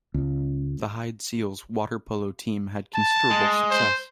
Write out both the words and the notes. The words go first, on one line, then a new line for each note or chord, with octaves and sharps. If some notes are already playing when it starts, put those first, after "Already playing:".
The Hyde Seals water polo team had considerable success.
C#2
A5
G#3
C5